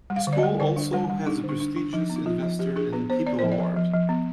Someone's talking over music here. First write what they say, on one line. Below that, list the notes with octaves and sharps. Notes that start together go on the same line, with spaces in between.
The school also has a prestigious Investor in People award.
G3
F5
D3
D5
D#5
G3
D3 D5
D4
G3 B4
G3
D4 D#4
D3
D4
D4
D4
F3 D#4
B3
D#4
F3 F4
F3
F3 G4
D4 G#4
B3 B4
B3 C5
B3 D5
F3 C5
D5
F3
F3
F3
B3